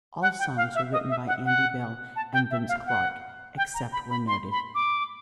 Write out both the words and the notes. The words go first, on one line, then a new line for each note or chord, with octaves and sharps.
All songs were written by Andy Bell and Vince Clarke, except where noted.
F#5
G5
F5
E5
D#5
E5
F#5
F#5
A5
G5
E5
F5
F#5
G5
A#5
B5
B5
C6
B5
D6